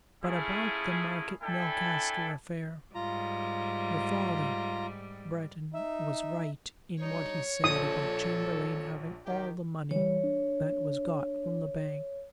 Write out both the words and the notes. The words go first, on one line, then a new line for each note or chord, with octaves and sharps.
But about the Market Milcaster affair: Your father, Breton, was right in what he said about Chamberlayne having all the money that was got from the bank.
A3 C#4 E4 F4 G#4
D4 E4 A4 G5 G#5 B5
G#2 G3 F4 A#5
D#4 E5
G3 D4 D#4 C#5
A#1 A4 D#6
D#3 G4
E3 G3 C#5
D4